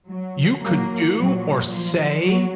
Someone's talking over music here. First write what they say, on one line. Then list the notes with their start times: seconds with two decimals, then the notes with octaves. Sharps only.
You could do or say
0.10 F#3
0.63 F#3 A#3
1.16 A#2 F3 F#3
1.69 F3
2.23 F#3